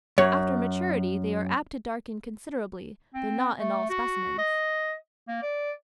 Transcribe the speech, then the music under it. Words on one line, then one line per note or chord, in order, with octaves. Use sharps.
After maturity they are apt to darken considerably, though not in all specimens.
F#2 C#5
C4
A3
F#4
D#5
A#3
D5